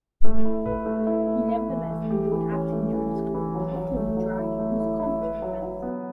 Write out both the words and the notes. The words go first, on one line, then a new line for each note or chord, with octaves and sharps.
He nevertheless enjoyed acting during school, often in drag, and was a competent fencer.
A3
E4
B4
A3
E4
A3
E4
E3
A3
G4
E3
C#4
A3
E3
G4
E3
F#3
F#3
A3
F#3
E4
A3
E4
E4
B4
F#3
F#3
B3